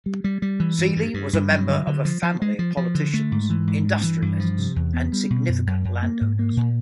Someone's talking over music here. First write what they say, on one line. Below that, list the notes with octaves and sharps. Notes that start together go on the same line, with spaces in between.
Seely was a member of a family of politicians, industrialists and significant landowners.
G3
G3
G3
E3
G2
G2
G2
G2
F#3
D3
D3
F3
F3
G#3
F3
F3
D3
A3
G#2
E3
G#2
G2
E3
G2
F3
C3
E2
B3
G3
B2
F#2
F#2
F#2
A#3
G#2
A#3
A#2